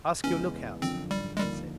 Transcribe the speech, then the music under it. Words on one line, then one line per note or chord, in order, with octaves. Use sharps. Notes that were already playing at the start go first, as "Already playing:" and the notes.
"Ask your lookouts," Anita said.
E2 C#3 E3 G#3 B3 C#4
F#2 D3 F3 C4
G3
G#3
D#2 D3 F3 G3 A#3